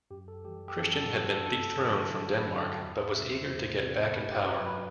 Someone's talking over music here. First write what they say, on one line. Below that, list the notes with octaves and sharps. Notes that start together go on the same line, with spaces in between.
Christian had been dethroned from Denmark, but was eager to get back in power.
F#2 G4
A4
E3 G3 G4
G4
F#2 A4
A4
E3 G3 F#4
A4
G2 A4
D3 F#3
G2
B5
D3 F#3 A5
G5
F#5
E2 E5
E5
C3 G3 E5
C5
E2
C3 G3
A4
G2 B4
G4
F#3 B4
B4